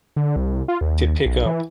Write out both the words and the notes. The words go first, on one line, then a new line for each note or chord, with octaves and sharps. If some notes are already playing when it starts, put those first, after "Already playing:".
to pick up
D3
C2
F4
D#2
B1
E3